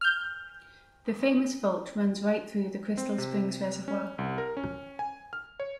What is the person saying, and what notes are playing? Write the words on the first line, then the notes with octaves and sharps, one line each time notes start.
The famous fault runs right through the Crystal Springs Reservoir.
F6 G6
C4
C3
C#4
C2
A#4
C#4
G#5
F6
C#5